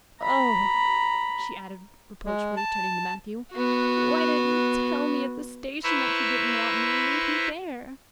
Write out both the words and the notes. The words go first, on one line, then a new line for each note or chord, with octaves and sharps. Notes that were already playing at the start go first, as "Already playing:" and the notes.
Oh," she added reproachfully, turning to Matthew, "why didn't you tell me at the station that you didn't want me and leave me there?
A#5 B5
G#3
A5
B3 F#4
E4 B4 C5 A#5 C#6 E6